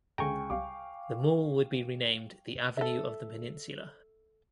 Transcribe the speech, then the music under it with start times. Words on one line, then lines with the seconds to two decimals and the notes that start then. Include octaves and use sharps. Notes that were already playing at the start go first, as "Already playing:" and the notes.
The mall would be renamed The Avenue of the Peninsula.
0.18 C#2 D3 A4 G5 G#5 A#5 C#6
0.50 C2 G3 F5 D6
2.77 A4 E5